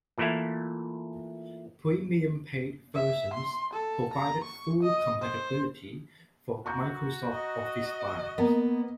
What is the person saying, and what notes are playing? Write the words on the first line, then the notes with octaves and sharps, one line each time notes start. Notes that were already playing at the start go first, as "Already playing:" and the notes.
Premium paid versions provided full compatibility for Microsoft Office files.
A#2 E3 A3 E4 F5
E5
C6
A4
A#5
C#6
D#5
C5
F#4 A#5 C#6 G6
D#5
A#3 B3 A#4 A#5